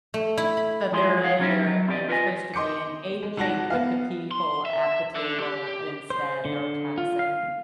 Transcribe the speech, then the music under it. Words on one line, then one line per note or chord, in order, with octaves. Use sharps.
But they're there and supposed to be engaging with the people at the table, and instead they're texting.
A3
E4
B5
F2 F3 G#3 E4 G#4 C6
G#4 C#5 F5 F#5
F3 F#3 C#4 D#4 E4 G4
F#3
C4 E4 G4 G#4 D5 D#5
F4 B4 C#5 D#5 G#5
D#5 C6 D6 G6 C#7
G#3
G#1 F#4 A5 A#6
B3 F5
C6
E5
D3
G4
C5
D3
F4
F5